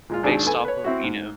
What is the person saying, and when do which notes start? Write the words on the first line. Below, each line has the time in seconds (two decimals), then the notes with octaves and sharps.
based off of, you know,
0.09 A#2 G#3 F4
0.23 G#1 D#2 D4 G#4
0.46 B3 A4 G#5
0.65 B4 C#5
0.84 C4 E4 F#4
1.03 G#2